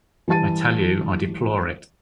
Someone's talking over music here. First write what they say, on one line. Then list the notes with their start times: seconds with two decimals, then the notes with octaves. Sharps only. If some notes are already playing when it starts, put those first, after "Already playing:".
I tell you I deplore it!
0.28 E3 G3 G4 A5 A6 D#7